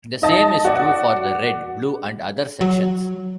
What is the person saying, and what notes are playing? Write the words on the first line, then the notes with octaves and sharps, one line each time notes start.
The same is true for the red, blue and other sections.
D#4 D#5 A5
F#4 D5
F#3